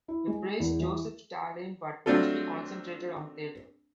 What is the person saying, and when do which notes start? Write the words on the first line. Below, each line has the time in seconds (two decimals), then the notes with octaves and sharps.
He praised Joseph Stalin, but mostly concentrated on theater.
0.08 E4
0.27 G#3
0.60 E2
0.80 E3
2.06 F#3 A3 C4 D4 F4 A4